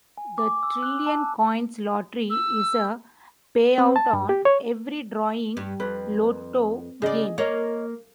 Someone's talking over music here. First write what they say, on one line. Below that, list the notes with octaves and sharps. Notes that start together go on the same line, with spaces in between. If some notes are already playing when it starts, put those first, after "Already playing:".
The Trillion Coins lottery is a pay-out-on-every-drawing lotto game.
G#5
D6
E6
F#6
A5
E6
C4
A5
G2
G4
C#5
G2
F2 B4
C#3 G#4 D5 D#5
A#3 C#5 D#5